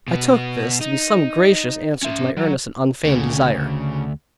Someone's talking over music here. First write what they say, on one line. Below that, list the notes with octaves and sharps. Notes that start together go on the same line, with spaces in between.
I took this to be some gracious answer to my earnest and unfeigned desire.
B2 B3
D#4
C#4 E5
F#3
D2 C#3